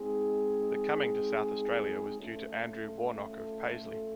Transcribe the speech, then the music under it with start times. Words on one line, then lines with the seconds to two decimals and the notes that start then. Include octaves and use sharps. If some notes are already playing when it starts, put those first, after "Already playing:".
The coming to South Australia was due to Andrew Warnock of Paisley.
Already playing: G#3 C4 D#4 G#4
2.19 A3 C#4 F4 A4